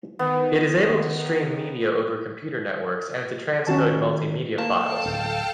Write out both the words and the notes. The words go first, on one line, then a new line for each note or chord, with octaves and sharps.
It is able to stream media over computer networks and to transcode multimedia files.
D#3 B3
D#3 C#4 F#4 A5
A#3 A4 F5 G5 A5
D1